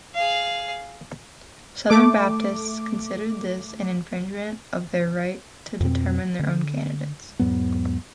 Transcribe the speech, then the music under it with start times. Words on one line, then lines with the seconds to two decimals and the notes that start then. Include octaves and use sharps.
Southern Baptists considered this an infringement of their right to determine their own candidates.
0.15 G#4 F5
1.90 A3 D6
5.80 F2 B2 C4
6.39 D3
7.39 E2 G#2 F#3 B3